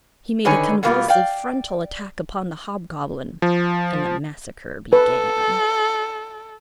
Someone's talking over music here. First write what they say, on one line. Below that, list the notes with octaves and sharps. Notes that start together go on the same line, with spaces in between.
He made a convulsive frontal attack upon the hobgoblin--and the massacre began.
D3 D#3 D#4 B4 C#5 G#5
B2 G3 A#3 B3 F4
D5 F5 G5
F3
A4 B4